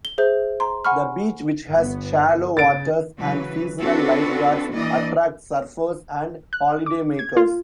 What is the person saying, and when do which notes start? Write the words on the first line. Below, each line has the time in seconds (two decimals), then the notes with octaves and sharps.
The beach, which has shallow waters and seasonal lifeguards, attracts surfers and holidaymakers.
0.05 G7
0.18 G#4 C5 E5 G6
0.60 A#5 C6
0.85 F#5 G#5 B5 C#6 F6
1.71 G1 B3
2.57 C#3 A6 D7
3.18 C#3 E3 F#3 B4
3.82 C4 D4 F4 F#4 A4 B4
4.73 E3 A#3 D4 D5 D#5
6.53 F#6
6.86 D6
7.19 G#6
7.37 F4